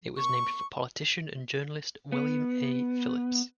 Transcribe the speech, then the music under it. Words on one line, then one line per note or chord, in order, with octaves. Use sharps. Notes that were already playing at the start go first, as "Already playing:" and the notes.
It was named for politician and journalist William A. Phillips.
C#6
B3